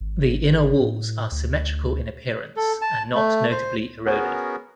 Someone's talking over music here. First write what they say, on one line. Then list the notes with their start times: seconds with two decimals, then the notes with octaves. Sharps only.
The inner walls are symmetrical in appearance and not notably eroded.
0.01 G#1
0.81 A2
1.32 D2
2.56 A4
2.81 A5
3.15 A3
3.51 C5
4.06 B3 C#4 F#4 G#4 A#4